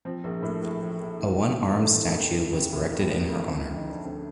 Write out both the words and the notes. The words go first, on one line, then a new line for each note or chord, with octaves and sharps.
A one-armed statue was erected in her honor.
F3 C4
A#1 A#3
A2 A3
A#1
F3
A#1
D#3
A1
G2
A1 A3
D#3 A#3
A3
A1
F3
A1
A2
A1 A#3
F3
A1
F3 C4
D2
D#4
D3 D4
D2 C4